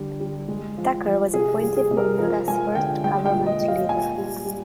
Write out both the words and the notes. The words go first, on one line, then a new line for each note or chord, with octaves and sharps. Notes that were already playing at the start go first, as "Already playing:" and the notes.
Tucker was appointed Bermuda’s first Government Leader.
Already playing: D3 G3
G3
G#3
F3
F3
C3 G#4
G3
G#4
C3
A#4
F3 A#4
G#3 G#5
D3 G5
G#3 G5
G5
A#2
D#5
G#3
F5
A#2 G#5
G3
G3